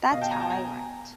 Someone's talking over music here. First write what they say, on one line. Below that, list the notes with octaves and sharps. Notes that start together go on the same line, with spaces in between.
That's how I write.
B2 D#5 F5
G5 A5
G#5 A#5
G5 A5
G#5 A#5